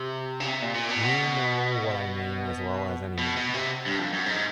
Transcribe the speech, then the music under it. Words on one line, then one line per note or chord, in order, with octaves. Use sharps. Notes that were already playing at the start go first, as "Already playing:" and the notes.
You know what I mean as well as any man.
Already playing: C3
C#3
C3
A#2
A#2
B2
A#2
B2
B2
B2
C3
G2
F2
F#2
G#2